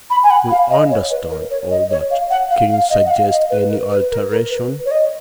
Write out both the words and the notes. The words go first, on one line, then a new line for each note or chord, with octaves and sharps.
"We understand all that. Can you suggest any alteration?"
B5
G#5
F#5
F5
D#5
C#5
B4
A#4
C#5
D#5
C#5
F5
F#5
F5
F5
D#5
F#5
F5
D#5
B4
A#4
B4
A#4
A#4
B4
C#5
D#5